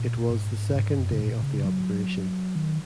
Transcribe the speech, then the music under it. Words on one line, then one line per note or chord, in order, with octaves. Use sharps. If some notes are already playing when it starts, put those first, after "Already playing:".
It was the second day of the operation.
Already playing: A#2
G#2
A#2
G#2
F#2
C#3
A#2
C#3
F#3
D#3